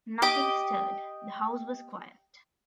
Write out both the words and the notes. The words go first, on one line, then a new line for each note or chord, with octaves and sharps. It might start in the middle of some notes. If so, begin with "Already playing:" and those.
Nothing stirred — the house was quiet.
G4 D#5 D6